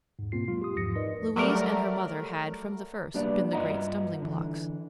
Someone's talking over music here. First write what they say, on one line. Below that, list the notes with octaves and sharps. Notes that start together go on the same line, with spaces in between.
Louise and her mother had, from the first, been the great stumbling-blocks.
E2 G#2
B2 A#3 C4 F4 C7
F#3 G#3 F4
G4 C6 D#6
E2 G#2 F3 D#6 A#6 C#7
D#4 A#4 B4 D5 D#5
F#3 G3 A3 A#4 D5
G3 A#3 B3 D4 D5
G2 F4 D#5 E5 F#5 A#5
D3 E3